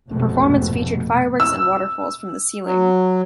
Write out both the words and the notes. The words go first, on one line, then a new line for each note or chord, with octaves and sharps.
The performance featured fireworks and waterfalls from the ceiling.
F1 A#1 F2 G#2 B2 A3
E6
F#3